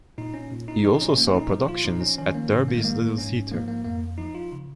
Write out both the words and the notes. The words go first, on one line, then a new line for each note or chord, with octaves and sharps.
He also saw productions at Derby's Little Theatre.
A#2 D#4
C#4
A#2
D#4
F3 D#4
D#4
C#4
A#2 A#3
C#4
D#4
F3
F4
F3 D#4
C#4
D#3 C#4
A#3
G#2 C#4
A#3
G#3
F3 A#3
G#2 C#4
F3 A#3
A#3
F2 A#3
F3 D#4
F4
C#3